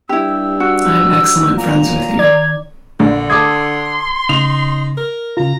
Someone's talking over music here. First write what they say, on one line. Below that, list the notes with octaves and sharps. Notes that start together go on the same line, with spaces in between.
I am excellent friends with you.
G2 E4 G4 E6
F#4
A#2 A#5
D#3 D5 G#6
A#1 D3
A4 C6 D6 D#6 G#6
C#3 D#4 F7
A#4
C#3 F4 A#5